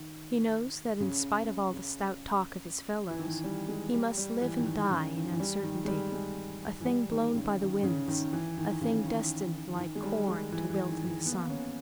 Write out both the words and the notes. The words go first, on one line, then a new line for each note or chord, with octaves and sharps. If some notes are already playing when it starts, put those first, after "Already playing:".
He knows that in spite of all the stout talk of his fellows he must live and die in uncertainty, a thing blown by the winds, a thing destined like corn to wilt in the sun.
Already playing: D#3
C#3
C#3
E3
D#3
G3
G#3
G3
G3
E3
D#3
E3
C#3
D#3
E3
G3
D#3
G#3
G3
G#3
E3
G3
D#3
C#3
D#3
C#3
D#3
E3
D#3
C#3
D#3
E3
D#3
G#3
G3
G#3
E3
E3
D#3
D#3
B3
A#3
B3
C#4